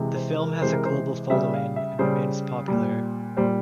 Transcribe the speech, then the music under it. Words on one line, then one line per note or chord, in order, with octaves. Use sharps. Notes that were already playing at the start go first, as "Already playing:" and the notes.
The film has a global following and remains popular.
Already playing: C3 E3 G#3
C5
A#4
C3 E3 G#3 C5
A#4
C5
C#3 G3 E5
F5
E5
C#3 G3 C5
A#2 G3
A#2 G3 C5